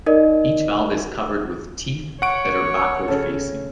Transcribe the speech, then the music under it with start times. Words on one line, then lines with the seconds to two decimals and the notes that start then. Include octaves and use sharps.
Each valve is covered with teeth that are backward-facing.
0.06 D#4 A#4 D5 D#5
2.22 C#5 F#5 C#6 D7
3.08 C#3 A4